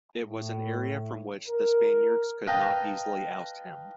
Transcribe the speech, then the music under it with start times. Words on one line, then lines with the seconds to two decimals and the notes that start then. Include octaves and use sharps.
It was an area from which the Spaniards could not easily oust him.
0.24 A2
1.47 A#4
2.47 B4 D#5 F5 G5 A5 A#5